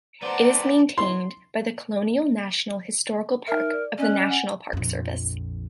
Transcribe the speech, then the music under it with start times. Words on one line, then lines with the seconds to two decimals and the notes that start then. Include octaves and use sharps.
It is maintained by the Colonial National Historical Park of the National Park Service.
0.22 B3 C5 D5 F#5 A5 A#5
0.98 C6
3.47 D#4 A#4 E5
3.73 D5
3.98 C#4 D5 D#5 F#6
4.30 F#5 G#5
4.73 A#1 F2